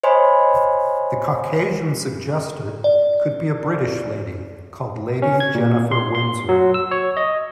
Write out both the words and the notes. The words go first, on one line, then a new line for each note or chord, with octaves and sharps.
The Caucasian suggested could be a British Lady called Lady Jennifer Windsor.
C5 C#5 D#5 G#5 B5 C6
D5
C#4
G#6
A#2
C6
C6
F#3
E6
C#5
D#5